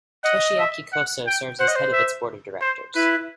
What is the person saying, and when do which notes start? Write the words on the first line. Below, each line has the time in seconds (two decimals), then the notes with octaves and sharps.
Toshiaki Koso serves as head of its board of directors.
0.24 D#5 F#5
0.58 E5
0.92 F#5
1.26 G5
1.59 C5 F#5
1.68 D#5
1.76 C5
1.93 E5
2.61 C5
2.95 E4 B4